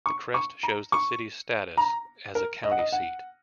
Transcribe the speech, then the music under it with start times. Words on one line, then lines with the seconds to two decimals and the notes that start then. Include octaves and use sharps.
The crest shows the city's status as a county seat.
0.06 C#6
0.34 C#6
0.63 A#5
0.92 C#6
1.77 A#5
2.35 A#4
2.64 D#5
2.71 F#5
2.79 D#5
2.92 F#5